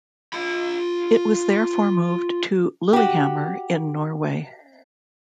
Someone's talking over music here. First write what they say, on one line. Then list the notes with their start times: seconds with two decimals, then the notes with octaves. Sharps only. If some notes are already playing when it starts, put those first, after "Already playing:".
It was therefore moved to Lillehammer in Norway.
0.33 F4 B5
2.93 F#4 G4